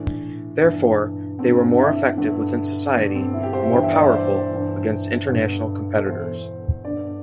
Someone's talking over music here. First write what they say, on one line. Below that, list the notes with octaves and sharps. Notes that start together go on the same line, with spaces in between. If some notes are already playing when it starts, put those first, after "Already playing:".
Therefore, they were more effective within society and more powerful against international competitors.
Already playing: A2 E3 D4
G2 E3
G2 D3 C4
C4
D4
E4
G2 D3
G2 D3 D4
C4
E4
G4
C5
E5
G2 E3 G5
E5
D5
E5
C5
G2 E3
G2 D3
A4
E2 E3 C5
G2 D3 D5